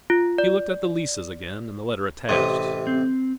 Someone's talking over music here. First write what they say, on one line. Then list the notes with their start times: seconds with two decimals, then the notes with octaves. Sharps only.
He looked at the leases again and the letter attached.
0.10 F4
0.38 D5
2.29 A1 C3 B4 D#5
2.87 C4